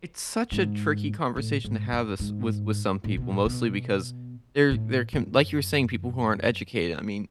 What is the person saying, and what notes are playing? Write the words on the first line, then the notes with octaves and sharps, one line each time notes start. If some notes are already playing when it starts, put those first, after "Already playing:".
it's such a tricky conversation to have this with with some people, mostly because there there can like, you were saying, people who aren't educated, I mean,
G#2
A2
G#2
F#2
G#2
A2
B2
A2
B2
A2
F#2